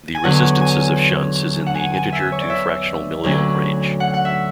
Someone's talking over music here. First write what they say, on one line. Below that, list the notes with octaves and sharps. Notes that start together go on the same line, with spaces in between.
The resistances of shunts is in the integer to fractional milliohm range.
G#5
E2 D3 F#3 F#5
G#5
F#5
G#5
G#5
E5
C#5
D5
E5
D2 D3 F#3 C#4
F#5
F#5
E5